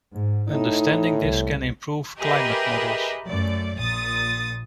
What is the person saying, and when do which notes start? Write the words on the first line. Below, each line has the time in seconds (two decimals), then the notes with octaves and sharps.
Understanding this can improve climate models.
0.13 G#2
0.50 A2 D#4
1.23 C2
2.18 G4 G#4 A#4 B4 D#5 E5
3.26 F#2 A3 D5
3.77 A#1 A#2 D#6 A6